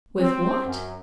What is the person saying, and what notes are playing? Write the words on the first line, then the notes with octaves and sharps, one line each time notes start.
"With what?"
C4
F#2